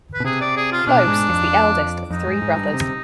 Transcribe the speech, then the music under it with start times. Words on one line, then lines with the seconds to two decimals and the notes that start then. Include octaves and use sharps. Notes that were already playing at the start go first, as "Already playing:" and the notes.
Close is the eldest of three brothers.
0.14 B4
0.20 B2
0.25 C3 G#4
0.41 D5
0.57 G#4
0.72 F4
0.87 B2 D4
1.07 G#2
1.29 F2
2.10 F2 D#4
2.27 G#2
2.42 G#2
2.57 G2
2.73 C3